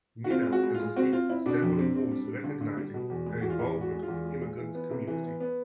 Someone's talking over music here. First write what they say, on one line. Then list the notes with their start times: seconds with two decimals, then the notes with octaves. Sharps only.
Minna has received several awards recognizing her involvement with the immigrant community.
0.24 F#4
0.30 C4 F4
0.42 G#3 F4
0.53 F#4
0.63 G#3
0.74 F4
0.80 G#3
0.96 C4 F#4
1.12 C4 F4
1.29 C4 E4
1.46 B2 D4
1.62 F2
1.79 C4
1.95 C4
2.11 G3
2.28 G3
2.44 D3
2.61 D3
2.77 G3
2.94 B2
3.10 E2
3.26 G#3
3.41 E2 F#4
3.50 F4
3.59 E2 E4
3.75 G#3
3.81 F#4
3.92 G#3
4.03 F4
4.08 E2
4.25 G#3
4.42 G#3
4.58 E3
4.75 B3
4.91 C3
5.07 E3
5.24 B3
5.40 B3